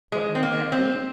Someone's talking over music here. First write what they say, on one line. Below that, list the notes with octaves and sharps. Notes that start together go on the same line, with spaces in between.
What may that be?
G#3
C4
A#3
C4